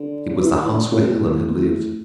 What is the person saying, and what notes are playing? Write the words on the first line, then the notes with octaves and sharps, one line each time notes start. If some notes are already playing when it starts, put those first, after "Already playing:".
It was the house where Helen had lived.
Already playing: D3
C#3
E3
D3
E3
D3
C#3
B2
A2